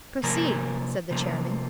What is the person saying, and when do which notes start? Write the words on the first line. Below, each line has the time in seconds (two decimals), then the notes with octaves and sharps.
"Proceed," said the chairman.
0.23 C3 F3 A#3 A#4
1.11 C3 F3 A#3